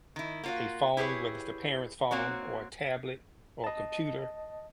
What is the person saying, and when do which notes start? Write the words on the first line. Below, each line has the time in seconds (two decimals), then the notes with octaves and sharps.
a phone, whether it's a parent's phone or a tablet or a computer,
0.16 D#3 E4
0.43 A#3 F4 F#4
0.97 E4 G4 G#4 B4 C#5
2.11 A#3 C4 F#4 C#5
3.64 D#5 A5